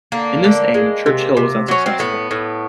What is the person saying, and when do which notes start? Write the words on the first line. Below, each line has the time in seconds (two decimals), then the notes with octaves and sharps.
In this aim, Churchill was unsuccessful.
0.12 D3 A#3
0.44 D3
0.74 G#3
1.06 C3
1.37 C3
1.68 F#3 C#4
1.86 C4
1.99 A2 B3
2.31 A2